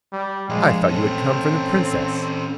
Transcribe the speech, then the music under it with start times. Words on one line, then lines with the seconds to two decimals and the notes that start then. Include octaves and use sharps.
'I thought you had come from the Princess.
0.12 G3
0.49 A#2 F3 G#3
0.88 C4 C#4 A4